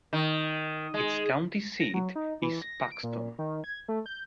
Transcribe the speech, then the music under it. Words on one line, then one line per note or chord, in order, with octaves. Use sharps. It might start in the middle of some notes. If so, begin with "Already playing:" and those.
Its county seat is Paxton.
D#3
G#3
A#6
F#3
D#4
E3
A#6
D7
A#2
D#3
G#6
A3
G6